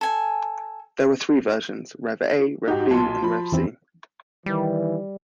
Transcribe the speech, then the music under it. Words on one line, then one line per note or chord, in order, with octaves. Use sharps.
There were three versions; RevA, RevB and RevC.
A4 G#5
G#2 D#4 F#4 G4
B1 A#2 A5 C6
F3 B5
E2 E3 C4
D#3 E3 G3